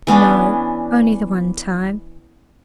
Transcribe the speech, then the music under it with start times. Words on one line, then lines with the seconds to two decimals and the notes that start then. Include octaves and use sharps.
"No, only the one time."
0.07 E3 B3 C#4 D4